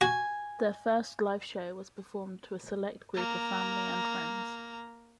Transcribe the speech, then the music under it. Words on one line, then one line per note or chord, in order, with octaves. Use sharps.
Their first live show was performed to a select group of family and friends.
F#4 G#5
A#3 A#5